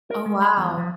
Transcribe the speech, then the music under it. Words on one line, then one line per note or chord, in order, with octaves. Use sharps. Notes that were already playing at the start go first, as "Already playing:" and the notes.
Oh, wow.
A#4
G#3
B5
E2
F3